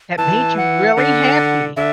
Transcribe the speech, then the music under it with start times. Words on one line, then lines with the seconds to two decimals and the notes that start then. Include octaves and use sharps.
that made you really happy?
0.18 E3 A5
0.57 F#5
0.97 D3
1.77 D3 E5